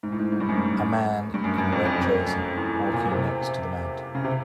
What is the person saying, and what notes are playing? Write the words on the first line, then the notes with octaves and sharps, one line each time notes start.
A man in red jersey walking next to the mountain.
G#2
A2
G#2
G#2
G2
F#2
G2
G2
F#2
F#2
F2
F2
F2
F#2
E2
E2
A#2
C3
C#3
C3